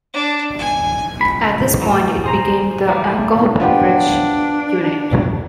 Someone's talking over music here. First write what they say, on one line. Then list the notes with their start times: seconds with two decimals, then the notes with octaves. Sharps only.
At this point it became the "Alcohol Beverage Unit".
0.14 D4
0.59 G#5
1.21 C#2 B5
1.82 A2 E3 F#3
2.24 G#4 C5 A#5
2.88 E3 G3 G#3 A#3
3.08 G3 A3 A#3
3.60 F3 B3 D4 G4